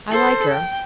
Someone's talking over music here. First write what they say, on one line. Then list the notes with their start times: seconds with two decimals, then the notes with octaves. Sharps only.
I like her.
0.10 A4 C5
0.51 G5